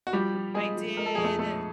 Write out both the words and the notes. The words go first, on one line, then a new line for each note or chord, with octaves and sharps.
I did,
F#4
F3 G3 G4
F3
F3 G#3 G#4
F3
G#3 A#4
A4
F2 G#4
A3 A4
G#3 A3 A4